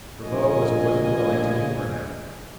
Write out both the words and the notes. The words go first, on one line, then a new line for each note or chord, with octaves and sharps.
Ribaut was more than willing to humor them.
A#1 F4 D#5 G#5